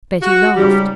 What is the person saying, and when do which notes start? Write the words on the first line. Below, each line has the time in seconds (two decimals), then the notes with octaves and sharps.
Betty laughed.
0.21 F#4
0.56 G#2 C#3 G3